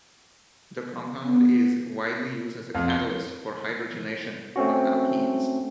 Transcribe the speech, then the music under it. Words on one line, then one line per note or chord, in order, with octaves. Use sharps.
The compound is widely used as a catalyst for hydrogenation of alkenes.
B3
F2
G7
A3 C4 C#4 F#4